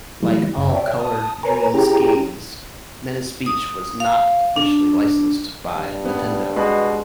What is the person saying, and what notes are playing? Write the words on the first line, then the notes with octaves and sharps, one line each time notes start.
Like all Color Dreams games, "Menace Beach" was not officially licensed by Nintendo.
E3 F#3 G3 A3 E4
F#2 C#3
C#5 D5 E5 G5
A5 D#6
A#4 B4 C#5 G#5 A#5
C#4 E4 G4 G#4 G5 A#5
D#6
F5
D4
G2
B3
B2 G#3